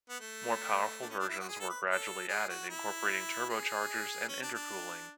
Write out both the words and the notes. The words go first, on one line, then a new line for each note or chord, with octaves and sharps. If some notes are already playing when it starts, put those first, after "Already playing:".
More powerful versions were gradually added, incorporating turbochargers and intercooling.
B3
A3
D4
C#4
D4
E4
F#4
G#4
A4
B4
A4
G#4
F#4
E4
G#4
C#4
D4
D4